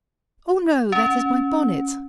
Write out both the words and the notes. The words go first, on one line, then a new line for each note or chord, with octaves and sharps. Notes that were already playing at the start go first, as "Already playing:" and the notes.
'Oh no! that is my bonnet.
C#4